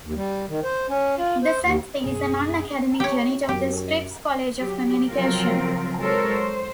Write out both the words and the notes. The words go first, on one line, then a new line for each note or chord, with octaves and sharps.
The Center is a non-academic unit of the Scripps College of Communication.
D#2
G3
D#3
C5
C#4
F4
C5
D#2
F#2 B2 C4 G#4
G4 C#5
F#2 G4
F#3 G4
F3 F#3 C4 F4 A#4
F#3 G#3 A4 A#4 C5 C#5
C5